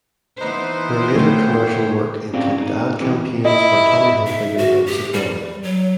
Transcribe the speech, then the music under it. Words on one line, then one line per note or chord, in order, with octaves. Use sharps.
Her later commercial work included ad campaigns for Tommy Hilfiger and Sephora.
E3 B3 D#4 B4 C5 D#5
A3 C#5 G5
C#3 C4 D4 F4 G4
D#4
C3 E3 D#4 G4
E4 D#5
E5
F#4
G4
G3
F#3